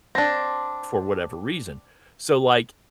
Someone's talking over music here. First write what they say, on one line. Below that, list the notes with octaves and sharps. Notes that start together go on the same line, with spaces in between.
for whatever reason. So, like,
C4 D4 A5 C6 A#6